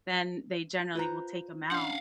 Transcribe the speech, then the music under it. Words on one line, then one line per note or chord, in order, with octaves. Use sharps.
then they generally will take them out.
F4 B4 C5 A#5
C#4 D4 F5 F#5